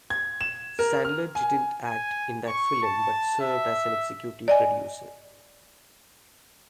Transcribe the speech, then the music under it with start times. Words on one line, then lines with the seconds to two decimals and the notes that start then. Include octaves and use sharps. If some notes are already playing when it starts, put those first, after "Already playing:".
Sandler didn't act in that film but served as an executive producer.
0.10 G#6
0.41 E7
0.79 A#4
1.05 F6
1.35 G#5
1.85 G#5
2.47 C#6
2.83 A5
3.41 E5
4.48 D5 D#5 G#5